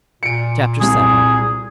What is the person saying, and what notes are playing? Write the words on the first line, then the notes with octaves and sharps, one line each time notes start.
Chapter VII.
A#2 C#7 D7
C2 C3 G#4